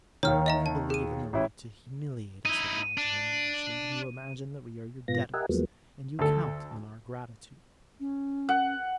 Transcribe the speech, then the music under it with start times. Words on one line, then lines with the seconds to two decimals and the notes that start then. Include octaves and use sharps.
Oh, you believe in the right to humiliate us with lodging and nourishment, and you imagine that we are your debtors, and you count on our gratitude!
0.23 D#2 D#3 C#5 F6
0.46 D#5 E5 A#5
0.66 A5
0.90 G#4 D#7
1.33 A1 E4
2.45 D#4 E4 D#7
2.97 D4
5.08 G#2 B2 B3 F4 A#6
5.34 G4 A#4 D#5 E5 F#5 G#5
5.49 E2 F3 F#3 G#3 A#3 B3
6.19 D2 A4
8.00 C#4
8.49 F#5